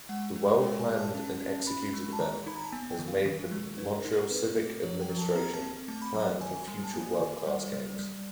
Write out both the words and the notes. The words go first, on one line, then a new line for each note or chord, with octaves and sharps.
The well-planned-and-executed event has made the Montreal civic administration plan for future world-class games.
G#3 F#5
G#3
G#3 G5
G#5
G#3
A5
C#4 A5
C#4
C#4 B5
G#3
A5
D#3 A#5
D#4 B5
A#5
A5
B3 G#5
G5
D#3
F5
D#3
G#3
D#4 B4
A#4
D#4
A#4
C4 B4
A3
F3 C#5
G5
F3
A5
C4 A#5
A5
C4
A3 A5
B5
F#3 A#5
D#3 G#5
G3
A5
A#3 G#5
D#3 G#5
G3 D5
G3
G3